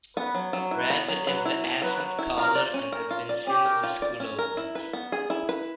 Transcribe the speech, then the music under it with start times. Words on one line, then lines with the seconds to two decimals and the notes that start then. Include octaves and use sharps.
Red is the accent color and has been since the school opened.
0.17 B3 B4
0.35 F#3
0.53 F#3
0.71 E4 B4
0.90 B3
1.08 F#3
1.27 F#3 B4
1.45 E4
1.64 B3
1.82 F#3 B4
2.00 F#3
2.19 E4
2.37 F4 A#4
2.55 D5
2.74 C#4
2.92 A#4
3.11 F4
3.29 D5
3.47 C#4 G4
3.66 A#4
3.83 F4
4.02 D5
4.20 C#4
4.39 A#4
4.57 E4
4.75 B4
4.93 B3
5.12 G#4
5.30 E4
5.49 B4